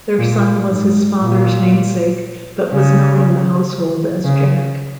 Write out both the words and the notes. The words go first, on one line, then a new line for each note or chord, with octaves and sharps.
Their son was his father's namesake, but was known in the household as Jack.
A#2
G#2
A#2
C#3
C#3